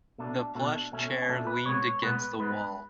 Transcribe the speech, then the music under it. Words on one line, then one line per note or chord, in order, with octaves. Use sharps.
The plush chair leaned against the wall.
B2 A3 D4
B2 A3 D4
B2 A3 C#4
C#4
B2 A3 D4
B4
B2 G#3 B3 C#5
B2 G#3 B3 B4
G#2 G#3 B3 B4